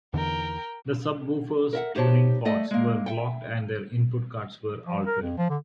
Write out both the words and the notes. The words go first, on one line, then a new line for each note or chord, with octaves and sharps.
The subwoofers' tuning ports were blocked and their input cards were altered.
E2 D3 E3 A#4 G5
A#4 E5 F#5
D#4 G4 C5 C#5 A5
A3 D5 D#5
G#3 A#3
E5 F#5 G5
F3
A#4
F2
F3
D3